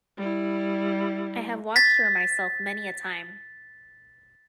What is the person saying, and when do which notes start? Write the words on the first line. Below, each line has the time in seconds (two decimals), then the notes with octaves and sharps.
I have watched her myself many a time.
0.18 G3 E4
1.76 A6 B6